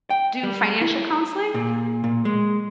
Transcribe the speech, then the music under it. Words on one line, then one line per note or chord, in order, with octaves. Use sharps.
do financial counseling,
G5
G3
E4
A#2
A#2
G#3